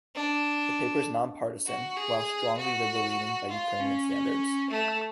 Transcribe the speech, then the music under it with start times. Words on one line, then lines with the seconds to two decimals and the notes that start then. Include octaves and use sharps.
The paper is non-partisan, while strongly liberal-leaning by Ukrainian standards.
0.15 D4
1.66 F#4
1.96 G#4
2.57 F#4
3.49 F4
3.80 C#4
4.70 A3